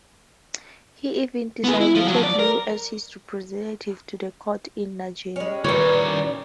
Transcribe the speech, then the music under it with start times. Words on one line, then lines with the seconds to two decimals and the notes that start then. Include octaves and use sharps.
He even designated Liu as his representative to the court in Nanjing.
1.64 B3 G#4
1.81 E4
1.95 F3
2.08 F3 F#3
2.24 D5
2.39 A#4
5.36 G3 G#3 C#4
5.64 A#2 D#3 E3 G3 A#4 B4 C#5
6.05 C#4